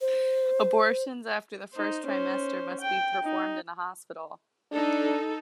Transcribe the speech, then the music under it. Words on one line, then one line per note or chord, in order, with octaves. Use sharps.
Abortions after the first trimester must be performed in a hospital.
C5
D#4 C5
C#4 C5
G5
D#4
D4 D#4 A4